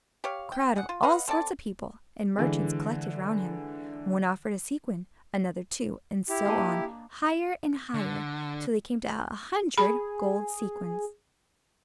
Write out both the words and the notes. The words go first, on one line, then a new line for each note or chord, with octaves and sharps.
A crowd of all sorts of people and merchants collected round him; one offered a sequin, another two, and so on, higher and higher, till they came to a hundred gold sequins.
G4 C#5 F5
G5
G#4 F#5
F4
B4 D#5 F5 F#5
C4 A4 D5 A5
D3 E3 G#3
E4 G4
A#3 D4 D#5
D3
G#4 B5